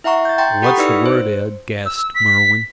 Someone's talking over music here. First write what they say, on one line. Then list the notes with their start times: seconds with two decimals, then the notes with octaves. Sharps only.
"What's the word, Ed?" gasped Merwin.
0.04 E4 E5 F#5 A#5 C#6
0.25 G6 A6
0.38 G5 A#5 C6 A6
0.62 G4 A4 F#5 B5 C#6 D#6
0.77 D#4 E4 B4 D5 E6 C#7
1.06 C5
1.86 E6
2.15 B6